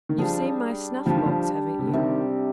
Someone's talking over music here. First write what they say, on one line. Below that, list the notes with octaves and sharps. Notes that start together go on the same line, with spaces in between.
You've seen my snuff-box, haven't you?
D#3
F3 G3 D4 G#4
F3 G3 D4 G4
D#3
F3
C3
D3
C3 D#3 G3 C4 G4